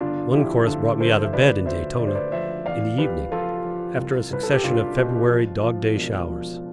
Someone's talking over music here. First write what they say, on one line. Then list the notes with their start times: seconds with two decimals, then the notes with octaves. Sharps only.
One chorus brought me out of bed in Daytona--in the evening--after a succession of February dog-day showers.
0.01 G1 D4 F4
0.34 F3 E4 G4
0.67 D3 F4 A4
1.00 F3 A4 C5
1.24 E5
1.33 D2 B4 D5
1.66 D2 C5 E5
1.99 D2 D5
2.07 C5
2.15 B4 D5
2.32 F3 C5 E5
2.65 E2 D5 F5
2.98 F3 G4 B4
3.31 F3 F4 A4
3.64 F3
3.98 C2
4.30 C2 B4
4.43 A4
4.53 G4
4.64 C2 D4 F4
4.97 B2
5.29 F3
5.62 F3
5.96 E1
6.29 F3